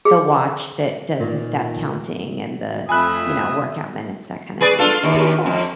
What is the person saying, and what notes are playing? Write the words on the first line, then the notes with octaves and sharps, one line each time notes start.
the watch that does the step counting and the, you know, workout minutes, that kinda thing. It's pretty cool.
G#4
A#2 D#3
F2 A3 E5 G#5 B5 D#6 F#6
G#4 B4 D5
D4 F4 A4
D#2
F2